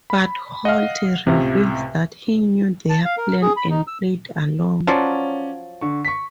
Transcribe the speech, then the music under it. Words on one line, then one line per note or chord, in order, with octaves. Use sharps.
But Holt reveals that he knew their plan and played along.
B5
D#5 F5 F#5
C#2 A2 C3
A5
F5
A#4
G#4
B5
D#4
E6
F3 F#3 C#4 D5
D3 C#6
C#6 B6